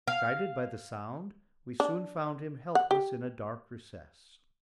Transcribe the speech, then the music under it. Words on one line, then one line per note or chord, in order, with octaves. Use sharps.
Guided by the sound, we soon found him helpless in a dark recess.
F5
D4
F#5
G4